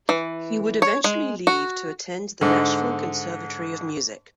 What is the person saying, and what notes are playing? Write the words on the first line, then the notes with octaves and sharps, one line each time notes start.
He would eventually leave to attend the Nashville Conservatory of Music.
E3
C#5
G#3
F#4
G#2 D3